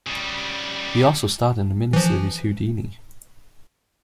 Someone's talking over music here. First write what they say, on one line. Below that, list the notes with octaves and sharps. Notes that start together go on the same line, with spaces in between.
He also starred in the miniseries "Houdini".
C#3 G3
E3 F3